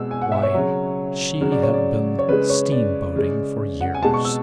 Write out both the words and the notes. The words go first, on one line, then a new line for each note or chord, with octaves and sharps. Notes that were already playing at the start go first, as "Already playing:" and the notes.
Why, she had been steamboating for years.
Already playing: B2 G#3 E6
G#5
F#5
E5
C#5
C#3 F#3
C#3 F#3
D5
C#5
D5
C#5
C#3 G#3 B4
C#5
D5
C#3 G#3
F#5
G#5
B2 G#3 A5
C#6
E6